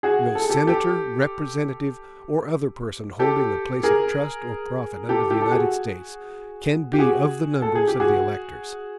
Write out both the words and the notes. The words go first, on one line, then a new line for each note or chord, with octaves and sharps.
No senator, representative, or other person holding a place of trust or profit under the United States, can be of the numbers of the electors.
F#4 G#4
A4
G#4
G4 A4
G4 A4
G4 A4
G#4 A#4
G4 A4
G4 A4
A4
F#4 G#4
G4
F#4 G#4
A4
G#4
G4
F#4 G#4